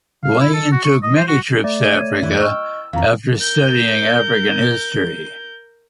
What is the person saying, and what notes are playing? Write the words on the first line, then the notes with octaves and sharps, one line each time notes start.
Layne took many trips to Africa, after studying African history.
F5
E4
A4
F#4
C#6
D#5
C5
F#4
A3 D5
C#5 G#6 D#7
F#2 E3 E4
D#5 G5 C#6 E6 F6
F2 F3 F5 A#5
A#4 G6